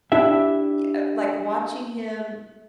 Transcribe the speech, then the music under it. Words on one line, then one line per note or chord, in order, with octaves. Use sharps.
y uh, like watching him,
D4 E4 G4 E5